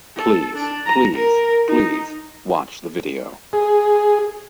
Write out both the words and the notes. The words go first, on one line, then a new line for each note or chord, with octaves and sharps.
Please, please, please, watch the video.
A4
D4
A#5
A#4
D#4
G#4